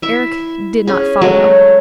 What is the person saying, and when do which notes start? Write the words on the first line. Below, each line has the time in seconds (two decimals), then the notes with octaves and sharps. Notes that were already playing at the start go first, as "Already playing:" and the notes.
Eric did not follow.
0.02 E4 E5
0.87 C#4 G#4
1.21 F#3 G#3 A3